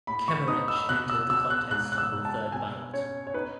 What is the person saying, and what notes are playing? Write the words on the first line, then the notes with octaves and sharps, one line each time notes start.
Kemmerich entered the contest on the third ballot.
A2 B5
C#6
D#4 D#6
E6
B2 F#6
E6
B2 E6
F#6
G#2 F#6
F#6
E6
G#2
A5
B2 G#5
C#4 C#5
C#5
D#4 B4